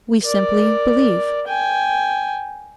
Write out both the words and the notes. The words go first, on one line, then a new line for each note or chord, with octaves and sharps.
We simply believe.'
A#4 D5
G5 G#5